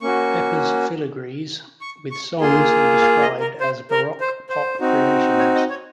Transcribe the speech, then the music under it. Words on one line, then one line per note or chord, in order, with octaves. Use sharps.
Pepper"s filigrees", with songs he described as baroque pop creations.
A#3 C#4 F#4 C#6
C#6
C#6
A#3 F4 G#4 C6
F5
D#5
A#4
C5
A#4
C5
C5
C4 D#4 F#4
C#5
D#5
C#5